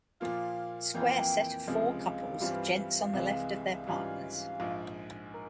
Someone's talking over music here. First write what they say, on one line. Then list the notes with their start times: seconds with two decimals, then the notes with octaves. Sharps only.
Square Set of four couples, Gents on the left of their partners.
0.20 A#2 F3 A#3 F4 F5
0.94 F2 E3 A#3 F4 G5
1.67 C#2 C3 F3 G#3 F5
2.40 G2 E3 G3 C4 F4
3.13 C2 C3 E3 G#3
3.87 G#2 E3 G3 C#4 F4
4.60 A#1 G#2 F3
5.34 A#4